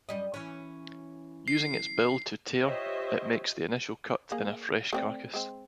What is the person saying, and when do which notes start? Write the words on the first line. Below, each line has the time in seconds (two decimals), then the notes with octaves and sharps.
Using its bill to tear, it makes the initial cut in a fresh carcass.
0.09 F#2 G3 D#5
0.34 E3 C#4
1.48 C7
2.62 F4 G4 C5 C#5 D#5 E5
4.32 A#3 G#4
4.93 A3 C4 D5
5.34 G#3 C4